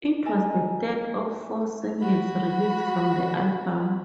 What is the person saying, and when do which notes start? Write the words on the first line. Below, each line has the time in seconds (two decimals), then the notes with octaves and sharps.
It was the third of four singles released from the album.
0.25 E4 A4 D#5 G#5 A#5
2.00 F#4 B5